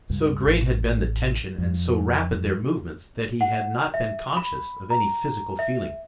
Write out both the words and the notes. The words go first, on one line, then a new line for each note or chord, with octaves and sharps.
So great had been the tension and so rapid their movements that he had not been conscious of any physical feeling.
C#2 G2
A1
F2
F#5
E5
B5
A#5
E5